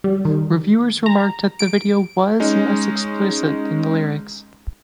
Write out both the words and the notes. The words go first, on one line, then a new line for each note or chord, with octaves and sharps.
Reviewers remarked that the video was less explicit than the lyrics.
G3
D#3
A#5
D7
G#3 C#4 D#4